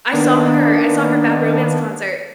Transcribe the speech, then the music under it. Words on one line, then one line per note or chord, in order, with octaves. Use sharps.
I saw her I saw her Bad Romance concert.
D#3 A#3 B3 D4